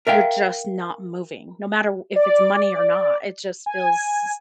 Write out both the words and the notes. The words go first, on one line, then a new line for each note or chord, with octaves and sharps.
you're just not moving. No matter w if it's money or not, it just feels
A#4 E5 F5 G5
D5
G#5